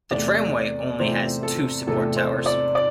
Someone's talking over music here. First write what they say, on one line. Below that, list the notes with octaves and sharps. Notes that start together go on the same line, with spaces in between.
The tramway only has two support towers.
E2 C3 A3 D5
E2 C3 A3 C5
A4
E2 C3 A3 A4
C5
D5
D5